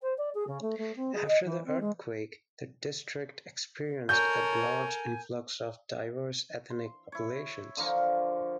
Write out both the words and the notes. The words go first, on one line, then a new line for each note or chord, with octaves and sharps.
After the earthquake, the district experienced a large influx of diverse ethnic populations.
C5
D5
G#4
C#3
A3
A3
C4
G#4
D#5
E3
C4
G#3
A4 A#4 C#5 G#5 A#5 C#6 G6
C6
E4 C#5
D3 F3 A#4 C#6